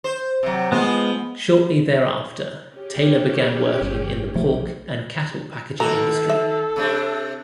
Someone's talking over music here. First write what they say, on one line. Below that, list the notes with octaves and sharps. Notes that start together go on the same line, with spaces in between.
Shortly thereafter, Taylor began working in the pork and cattle packaging industry.
C5
C3 F#3
F3 G#3 B3 F4
C#4 G4 G#4
G1
B1 F3 A3
D#3 F#4 A4 A#5
E5
C3 A3 D4